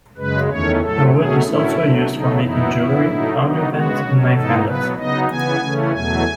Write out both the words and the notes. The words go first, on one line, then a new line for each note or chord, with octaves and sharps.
The wood is also used for making jewelery, fountain pens and knife handles.
F#2 C#3 G#3 B4
E2 D#3 A3 C#4 C#5
A2 F#3 A3 A4
B2 F#3 A3 C#4 G#4
A2 F#3 A3 C#4 E4
B2 F#3 A3
C#3 F#3 A3 D#4
F#2 E3 B3 D#4 E4
C#3 E3 B3
A2 F#3 A3 D#4
D#3 F#3 B3 D#4
C#3 G#3 B3 F#4
B2 F#3 C#4
G#2 E3 B3 D#4 A4
B2 F#3 B3 B4
C#3 F#3 B3 D#4 D#5
C#3 E3 B3 G#5
C#3 E3 A3 C#4
E2 B2 F#3 A3 G#5